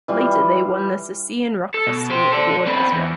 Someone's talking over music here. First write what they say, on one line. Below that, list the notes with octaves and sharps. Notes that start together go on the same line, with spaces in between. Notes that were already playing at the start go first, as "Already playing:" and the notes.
Later they won the "Sisian Rock Festival" award as well.
E3 G3 F4
A4
B2
G4 C5
A4 D5
C4 B4
E2